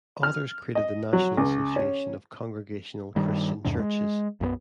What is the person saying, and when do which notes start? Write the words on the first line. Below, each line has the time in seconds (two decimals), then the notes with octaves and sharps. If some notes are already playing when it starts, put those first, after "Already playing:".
Others created the National Association of Congregational Christian Churches.
0.23 F6
0.75 D#5
1.13 F#3
1.37 C#2
1.76 C#4
3.16 G2 D#3 G3
3.65 E2 G#2 C3 D4
3.79 G#3
4.41 B1 F#2 G3 B3